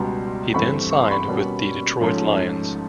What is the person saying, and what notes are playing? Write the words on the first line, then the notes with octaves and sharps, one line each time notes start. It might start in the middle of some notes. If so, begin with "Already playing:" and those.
He then signed with the Detroit Lions.
Already playing: C#2 B2 G3 A#5 C6
G2 E3 A3 C4 B5 C#6
C#6
C6
B5 C#6
B2 G3 A#3 C#4
G#2 F3 A3 C#4